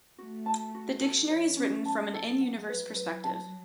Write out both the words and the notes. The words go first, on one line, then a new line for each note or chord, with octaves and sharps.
The dictionary is written from an in-universe perspective.
A3 F#4
A5
F#4
E3 A4
C#5
C#4
F#3 A5
A4
F#5
B4
B4
A5